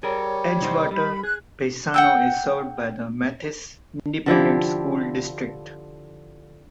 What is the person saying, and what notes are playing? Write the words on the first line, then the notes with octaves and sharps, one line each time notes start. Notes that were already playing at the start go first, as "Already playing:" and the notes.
Edgewater-Paisano is served by the Mathis Independent School District.
G3 G#4 A#4 C#5
C2 D#4 C5
G3 B5
G#4 F#6
F#5 G5 E6
D3 F3 E4 G4